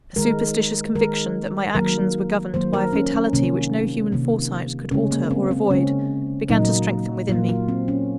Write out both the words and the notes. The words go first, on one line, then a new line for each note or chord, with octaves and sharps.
A superstitious conviction that my actions were governed by a fatality which no human foresight could alter or avoid, began to strengthen within me.
D#3 G#3 A#4
D#3 G#3 A#4
D#3 F#3 A#3 A#4
D#3 F#3 A#3 C5
A#4
C#4
C#4
C3 D#3 A#3 C#4
C3 D#3 A#3
C#3 G#3 C#4
A#3
C4
C4
C#3 G#3 C#4
A#2 F#3 A#3 D#4
A#2 F#3 A#3 F4
F4
C4
C#4